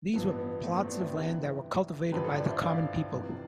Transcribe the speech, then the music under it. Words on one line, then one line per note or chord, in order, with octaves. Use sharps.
These were plots of land that were cultivated by the common people.
A1 G2 F3 B3
B3
B3
A3 C4
A3 C4
B3 D4
C4 E4
G1 F2 C3 E3 G3 E4 G4
A1 G2 D3 F3 G4 B4
A4 C5
B4 D5
C5 E5
D5 F5
F1 F2 C3 E3